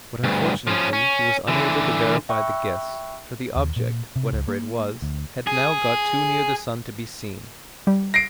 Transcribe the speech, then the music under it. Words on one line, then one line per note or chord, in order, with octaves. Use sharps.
But unfortunately he was unable to verify the guess, for the object, whatever it was, had now got too near the sun to be seen.
D2 G2
F3 C#4
C#4
D3 E3
E5 G5 B5 C#6 E6 F#6
D#2
A#2
C3
C#2
A#3
D2
G#4
G3
A#6 C7 D7